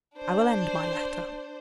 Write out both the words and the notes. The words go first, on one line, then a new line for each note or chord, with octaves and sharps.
I will end my letter.
D4 C5